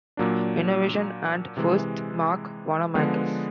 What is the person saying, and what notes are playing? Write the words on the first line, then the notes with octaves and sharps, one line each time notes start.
Innovation and "firsts" marked Wanamaker's.
A#2 F#3 A#3 D4
C3 E3 G#3
D3 F3 G#3 B3